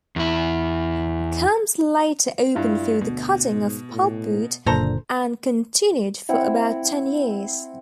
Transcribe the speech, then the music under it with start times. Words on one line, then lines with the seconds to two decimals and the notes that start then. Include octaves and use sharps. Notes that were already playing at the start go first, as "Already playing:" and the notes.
Camps later opened for the cutting of pulpwood and continued for about ten years.
0.16 E2 E4
2.55 G2 E4 F4
3.01 D2 B2
3.51 G#2
3.92 A2
4.66 F#1 A#2 D3 A4 C5 A#5
6.29 C4 E4 F#5